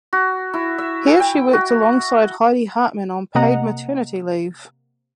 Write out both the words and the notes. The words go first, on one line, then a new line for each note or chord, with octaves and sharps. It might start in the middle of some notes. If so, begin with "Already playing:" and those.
Here she worked alongside Heidi Hartmann on paid maternity leave.
F#4
E4
E5
G#5
G5
F#4
C3 A#3 D#5 F#5 A#5